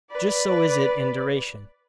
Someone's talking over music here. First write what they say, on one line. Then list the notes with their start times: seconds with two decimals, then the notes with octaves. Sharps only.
Just so is it in duration.
0.11 B4 D5